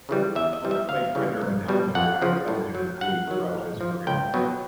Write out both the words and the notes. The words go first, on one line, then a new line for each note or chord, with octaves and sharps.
He played tenor and alto sax, doubling on flute throughout his career.
C#3 E3 G3
E2 E5
D#5
C3 E3 G3
E5
D2 F5
C#3 E3 G3
C2
B2 G3
F2 F#5
C#3 F3
A2
F#3
G2 F#5
D#3 F#3
A2
F3
C#2 G5
B2 F#3